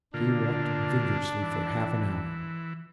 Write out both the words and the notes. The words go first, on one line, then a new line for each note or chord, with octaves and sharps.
He walked vigorously for half an hour.
A#2 D3 D4 F4
E3